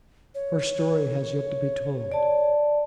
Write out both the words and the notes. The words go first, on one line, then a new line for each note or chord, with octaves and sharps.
Her story has yet to be told.
C#5
D5 A5